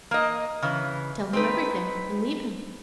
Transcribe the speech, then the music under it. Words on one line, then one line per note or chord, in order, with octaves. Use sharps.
"Tell him everything, and leave him."
A#3 D#5
C#3 E3
C4 D#4 B4